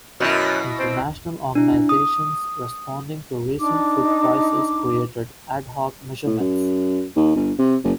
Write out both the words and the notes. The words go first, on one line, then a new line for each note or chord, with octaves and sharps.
International organizations responding to recent food crises created "ad hoc" measurements.
F#2 B2 E4
C4
D4 E4
D#6
D4 D#4 D6
A2
F#2
D#2
G1
C3
F#1